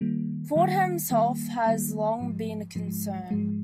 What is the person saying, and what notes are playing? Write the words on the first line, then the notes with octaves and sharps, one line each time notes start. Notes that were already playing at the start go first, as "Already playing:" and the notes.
Fordham's health has long been a concern.
D#3 G3 A#3
D#3 G3 A#3
D#3 G3 A#3
D#3 G3 A#3
G#2 F3 G#3
G#2 F3 G#3
G#2 F3 G#3